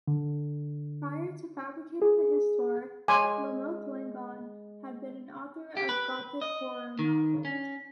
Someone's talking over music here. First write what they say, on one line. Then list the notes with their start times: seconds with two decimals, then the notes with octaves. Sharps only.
Prior to fabricating the "Histoire", Lamothe-Langon had been an author of gothic horror novels.
0.08 D3
2.02 G#4
3.08 G#3 C#5 G#5 C6 D6
5.77 G4
5.89 B4
6.42 D#5
6.99 D#3
7.45 C#4